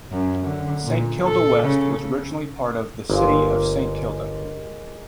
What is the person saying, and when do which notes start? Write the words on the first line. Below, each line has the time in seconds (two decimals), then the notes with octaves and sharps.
Saint Kilda West was originally part of the City of Saint Kilda.
0.12 F#2
0.46 D3
0.84 A#2
1.24 A4
1.63 C#3
3.10 G1 G#3 A#3